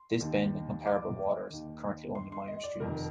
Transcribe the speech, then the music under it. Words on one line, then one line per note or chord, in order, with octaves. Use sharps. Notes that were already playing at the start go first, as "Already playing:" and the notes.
This bend, and comparable waters, are currently only minor streams.
Already playing: C6
D#2 D#3
D6
D#2 D#3
C6
C6
D#5
D5
F1 F2 D#3 A#4